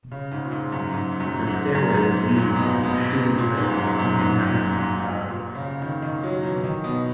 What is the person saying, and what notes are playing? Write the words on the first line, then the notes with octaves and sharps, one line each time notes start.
The stairway was used as a shooting place for Something Happened in Bali.
C#3
G#2
A#2
G#2
F#2
G#2
F#2
G#2
F#2
G#2
A#2
B2
B2
B2
A#2
G#2
F#2
G#2
F#2
G#2
A#2
A#2
A#2
C#3
D#3
D#3
F#3
E3
D#3
B2